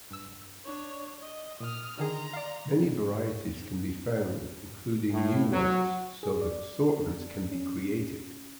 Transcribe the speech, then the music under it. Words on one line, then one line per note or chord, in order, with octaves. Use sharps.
Many varieties can be found, including new ones, so that assortments can be created.
G2 E6
D4 C#5
D#5
A#2 D#6 F6
D3 D#3 G#4 A#5 C6
D5 F5
A2
F#3
G#4
D5
C#4